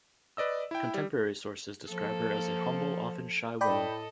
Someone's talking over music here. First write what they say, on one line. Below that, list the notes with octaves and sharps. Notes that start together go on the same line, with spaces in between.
Contemporary sources describe her as a humble, often shy woman.
B4 D5 D#5 E6
E4 G5
G3
F3 A#3 A4
A2 A4 D5 D#5 G5 B5